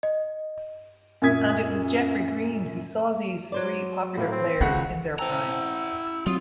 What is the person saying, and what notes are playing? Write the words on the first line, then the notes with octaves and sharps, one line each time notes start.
And it was Geoffrey Green who saw these three popular players in their prime.
D#5
F#2 A#2 E5 D#6 G#6 B6
F#3 C5 D5
A2 A#3
C4
C#2 D#3 F4 F#4 F#5
E4 C5 G5 A5 A#5 E6
F#5 G6
F#3 C4 F4 F#4 D#6